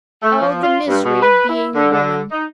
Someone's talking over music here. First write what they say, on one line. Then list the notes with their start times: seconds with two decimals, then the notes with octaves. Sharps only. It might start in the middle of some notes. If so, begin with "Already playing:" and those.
Oh, the misery of being a woman!
0.22 A3
0.41 F3
0.63 F4
0.88 G2
1.04 B2
1.21 B4
1.48 E4
1.74 D3
1.92 D3
2.31 D#4